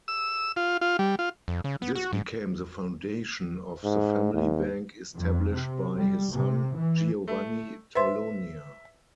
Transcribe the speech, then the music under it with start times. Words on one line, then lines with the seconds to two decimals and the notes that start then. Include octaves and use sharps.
This became the foundation of the family bank established by his son, Giovanni Torlonia.
0.08 E6
0.56 F4
0.81 F4
0.99 G3
1.19 F4
1.48 F2
1.64 C#3
1.82 B3
1.95 F#4
2.13 G#2
3.84 G#2
4.34 D#2
5.14 F2
5.53 C3
5.96 G3
6.33 C3
6.77 E3
7.28 A3
7.95 B4 C5 E5 C6